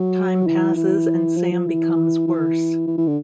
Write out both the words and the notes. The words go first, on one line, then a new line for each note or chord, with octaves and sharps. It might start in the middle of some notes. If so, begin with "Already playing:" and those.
Time passes and Sam becomes worse.
Already playing: F#3
E3
E3
F3
F3
E3
E3
E3
E3
D3